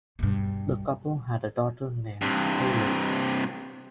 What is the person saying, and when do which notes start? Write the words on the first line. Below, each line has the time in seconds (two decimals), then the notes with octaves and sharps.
The couple had a daughter named Kayleigh.
0.19 G2 B2
2.22 G2 C3